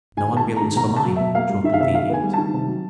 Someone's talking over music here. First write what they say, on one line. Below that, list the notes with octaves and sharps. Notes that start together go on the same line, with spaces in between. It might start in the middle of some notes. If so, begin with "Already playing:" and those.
"No ambulance for mine," chortled the Idiot.
D#3 G#5
B3 A5
G#3
D#3 A#5
B2 A#5
A#3 A5
F#3
B2 E5
A#3 F5
G3
D#3 E5
F5
C3 E5
D#3 F5
B3 G#5
G3
D#3 A5
C3
F#3